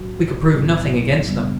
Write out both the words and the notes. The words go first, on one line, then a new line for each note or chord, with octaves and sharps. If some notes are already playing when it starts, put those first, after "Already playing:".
We could prove nothing against them.
Already playing: B1 A2 F#3 C#4 F#4
B1 A2 F#3 B3 E4
F#2 C#3 G3 B3 D4